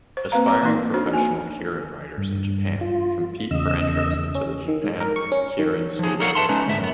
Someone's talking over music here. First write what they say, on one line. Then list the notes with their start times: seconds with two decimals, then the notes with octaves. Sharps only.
Aspiring professional keirin riders in Japan compete for entrance into the Japan Keirin School.
0.17 C5
0.32 A#3 C4 B4 F5 A#5
0.47 B4 C#5 A#5
0.61 E3 A#3 D#4
0.94 D4 F#4 C5
1.13 A#3 G#5
2.17 G2
2.81 F4
3.51 E2 C#3 D#5 E6
4.35 C#4
4.68 D#3
4.84 G#2
5.00 A#4
5.16 C#6
5.32 C#4
5.59 D#3
5.99 F3 G#4
6.20 D#4 A4 A#4 C#5 F5 F#5
6.35 B4 E5 A5 C6
6.49 G#3 C#4 D#4 B4
6.67 D2 G#2 E5
6.80 F#2 B3